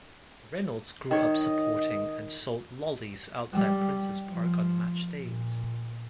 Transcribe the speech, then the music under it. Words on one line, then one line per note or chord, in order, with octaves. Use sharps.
Reynolds grew up supporting and sold lollies outside Princes Park on match days.
D#3 C#5 D#5
G3
F3
A#2